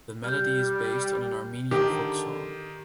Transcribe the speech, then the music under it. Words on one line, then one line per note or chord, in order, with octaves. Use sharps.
The melody is based on an Armenian folk song.
G3 F6 G6
D3 D#3 G4